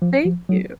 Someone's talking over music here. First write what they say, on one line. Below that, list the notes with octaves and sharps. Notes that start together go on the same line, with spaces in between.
Thank you.
F3
F3
F#3